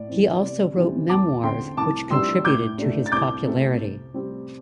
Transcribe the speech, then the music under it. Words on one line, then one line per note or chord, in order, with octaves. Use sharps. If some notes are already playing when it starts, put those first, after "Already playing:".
He also wrote memoirs which contributed to his popularity.
Already playing: A2 D5
E3 C4
C3 D5
E3 G3 C4
E2 A5 D6
D3 C4 G5 C6
C2 A5 D6
C3 G3 D4 C6 E6
A2 D6 G6
A3 D4
A6
C2 D6 G6
C3 A3 C4
C3
G3 C4